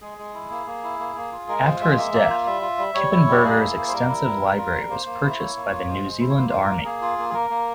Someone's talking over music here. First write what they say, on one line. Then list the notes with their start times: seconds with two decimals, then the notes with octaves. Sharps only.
After his death, Kippenberger's extensive library was purchased by the New Zealand Army.
0.01 G#3 G#4
0.18 G#3
0.34 E4
0.51 A#3
0.67 A#3
0.84 E4
0.99 A#3
1.16 A#3
1.32 F4
1.48 G#3 A#4
1.65 F4 C5
1.80 G#3 E5
1.97 A#3 E5
2.14 A#3
2.29 F4
2.46 G3 E5
2.61 F4
2.78 G3
2.94 G3 C#5
3.11 E4
3.27 G3 G4
3.44 A#3 G#4
3.60 E4
3.76 A#3
3.88 C5
3.92 G3 A#4
4.08 E4
4.25 G3
4.42 G3
4.57 F4
4.74 G3
4.89 A#3 C5
5.06 A#3
5.23 E4
5.30 E5
5.39 A#3 C#5
5.56 A#3
5.72 F4
5.87 G#3 C5
6.04 G#3
6.20 E4
6.29 C#5
6.36 A#3 C5
6.49 F4 C5
6.61 A#4
6.69 A#3
6.85 A#3 G#4
7.01 F4
7.18 A#3
7.29 G#4
7.34 A#3 A#4
7.50 A#3